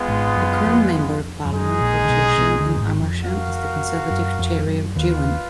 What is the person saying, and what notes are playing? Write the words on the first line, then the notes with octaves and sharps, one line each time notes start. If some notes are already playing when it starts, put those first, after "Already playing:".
The current Member of Parliament for Chesham and Amersham is the Conservative Cheryl Gillan.
Already playing: G#3 B3 F4
G#1 G#2
F#2
F2
F2
F#2 G#3 D#4 G#4
A#1 A#2
D3
B1 B2
B1 B2
D2 D3
F#2
G#1 G#2
F2
F#4 A#4 F5
F#2
F2
F#2
D#2 D#3 F4 B4 F5